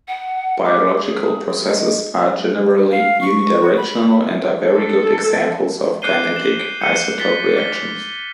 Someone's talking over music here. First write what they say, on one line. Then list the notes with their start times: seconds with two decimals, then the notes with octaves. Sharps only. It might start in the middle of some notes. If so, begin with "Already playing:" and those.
Biological processes are generally unidirectional and are very good examples of "kinetic" isotope reactions.
0.08 F#5
0.64 D6
1.02 G#4
1.68 D#5
2.91 F5
3.21 C#6
3.62 F#4
3.77 B5
4.64 A4
6.02 D6 F#6 G6 C7 D#7 G7
6.36 E7 F#7
6.81 G6 C#7 D#7 G7
7.19 A6 B6 G7
7.56 D6 F6 G7